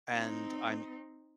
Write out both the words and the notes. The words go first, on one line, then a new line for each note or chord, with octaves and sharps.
and I'm
C4 D#4